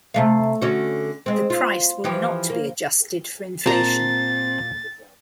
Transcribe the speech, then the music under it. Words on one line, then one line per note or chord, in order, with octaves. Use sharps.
The price will not be adjusted for inflation.
C3 A3 F5
D3 C#4 F#4
G#3 C4
F4
E3 F3 G4
A#3
A#2 C4 A5 A#5 A6